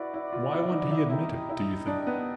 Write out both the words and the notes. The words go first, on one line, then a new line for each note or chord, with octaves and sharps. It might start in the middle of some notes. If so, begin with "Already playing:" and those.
Why won't he admit it, do you think?
Already playing: E4 F#4 B4 D5
E4
F4
E4
D#4
E4
D#4 E4 G4 A#4 D#5 G5
E4
D4
B3